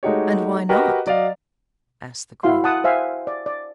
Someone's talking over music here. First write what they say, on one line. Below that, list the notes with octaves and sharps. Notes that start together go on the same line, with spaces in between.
"And why not?" asked the queen.
G#3 A3 D#4 F#4 G4 C#5
F#4 G4 A#4 B4 D#5 G5
F#3 D5 D#5 F5
E4 F#4 F5 C6
F#5 A5 D#6
C5 E5 F5 G#5
D5
D5